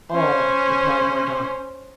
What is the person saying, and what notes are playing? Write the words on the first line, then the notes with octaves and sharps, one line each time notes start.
"All," replied Mordaunt.
C#4 C5